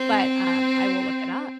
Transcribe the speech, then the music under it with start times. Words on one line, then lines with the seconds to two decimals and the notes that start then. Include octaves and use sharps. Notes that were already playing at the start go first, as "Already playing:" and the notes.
But, um, I will look it up.
Already playing: C4